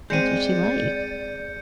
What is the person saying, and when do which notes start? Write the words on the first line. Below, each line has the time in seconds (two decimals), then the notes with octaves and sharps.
that's what she likes.
0.10 G#3 C4 D5 G6 C#7 D#7